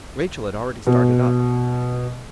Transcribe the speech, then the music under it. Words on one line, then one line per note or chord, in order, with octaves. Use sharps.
Rachael had already started up.
B2